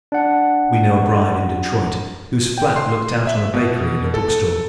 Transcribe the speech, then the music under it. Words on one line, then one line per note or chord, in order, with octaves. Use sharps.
We know a bride in Detroit whose flat looked out on a bakery and a bookstore.
D4 F#5
G5
C6
E5
B2
A4